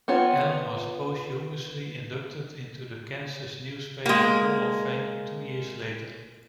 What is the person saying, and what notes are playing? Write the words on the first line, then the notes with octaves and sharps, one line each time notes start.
Allen was posthumously inducted into the Kansas Newspaper Hall of Fame two years later.
B3 C4 F4 C#5
G#3 A#3